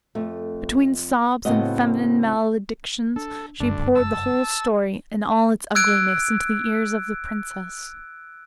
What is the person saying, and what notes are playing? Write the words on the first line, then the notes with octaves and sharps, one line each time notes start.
Between sobs and feminine maledictions she poured the whole story, in all its ugliness, into the ears of the princess.
F2 A3
A2 C#3 B3 C4 F#4 D#5
D4 A4
F#1 D2 G2 C#3 D4
A5 E6
E6 F#6 G#6 D7